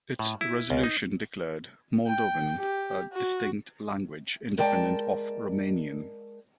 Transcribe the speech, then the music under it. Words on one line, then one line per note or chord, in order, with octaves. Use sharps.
Its resolution declared Moldovan a distinct language independent of Romanian.
A2
E4
C#2
D#4
G5
G4
F#4
G#3 A#4 D5 G5 A5